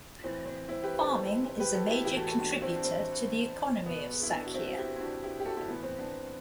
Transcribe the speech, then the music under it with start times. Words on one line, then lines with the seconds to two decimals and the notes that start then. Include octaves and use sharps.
Farming is a major contributor to the economy of Sachkhere.
0.24 A2 E3 C4
0.46 C4
0.69 C4 E4
0.83 G4 B4
0.99 A4 C5
1.60 G4 B4
1.75 F#4 A4
1.89 E4 G4
2.05 A2 E3 E4 G4
2.16 F#4 A4
2.28 F#4 A4
2.39 D4 F#4
2.50 D4 F#4
2.62 C4 E4
2.76 D4
2.84 C4
3.86 B2 B3
4.23 E4
4.31 B3 D4
4.46 F#4
4.54 C4 E4
4.68 F#4
4.77 E4 G4
4.96 E4
5.00 D4 F#4
5.23 E4 G4
5.40 G4
5.45 F#4 A4
5.56 E4 G4
5.68 A2 E3 B3
5.83 C4
5.99 B3 D4